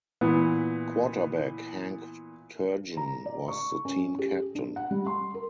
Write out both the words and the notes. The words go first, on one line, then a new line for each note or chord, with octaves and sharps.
Quarterback Hank Turgeon was the team captain.
A#2 E3 B3
A#5
D5
C#6
C#4
G4
D4
F#5
G3
C6
A#4